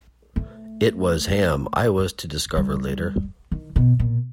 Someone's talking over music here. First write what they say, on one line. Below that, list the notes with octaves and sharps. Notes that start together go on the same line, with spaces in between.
It was ham, I was to discover later.
A3
G3
D#3
B2
A#2